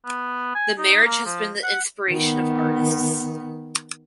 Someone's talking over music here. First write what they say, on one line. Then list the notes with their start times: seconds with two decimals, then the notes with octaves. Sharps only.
The marriage has been the inspiration of artists.
0.05 B3
0.55 G#5
0.78 D#4
1.05 A#3
1.25 F3
1.63 F#5
2.10 D#3 B3